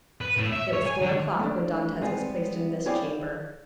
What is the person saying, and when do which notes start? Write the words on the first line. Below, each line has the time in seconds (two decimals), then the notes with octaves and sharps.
It was four o'clock when Dantes was placed in this chamber.
0.21 B4
0.37 A2
0.52 E5
0.73 C#5
0.87 G#5
1.01 D3
1.39 A3 D4
2.01 G3 G#3 B3 C4
2.86 E4 G#4 C#5 D5 F5 G5